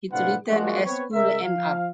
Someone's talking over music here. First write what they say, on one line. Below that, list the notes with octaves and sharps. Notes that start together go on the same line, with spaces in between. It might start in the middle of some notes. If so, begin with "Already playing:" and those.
It returned as School nr.
A2 C3 D4 F4 B4 F#5
F3 G#3 A#3 D4 F4 F#4
B3 C4 B4 C#5
C#3 G#3 A#4 E5
F3 F5